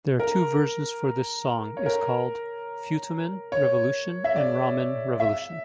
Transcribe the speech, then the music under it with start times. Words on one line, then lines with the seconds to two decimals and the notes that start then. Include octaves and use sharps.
There are two version for this song is called Futomen Revolution and Ramen Revolution.
0.19 A#4
1.77 C#5
1.86 A#4
3.52 C#5
4.24 E5
4.36 D5
5.20 E5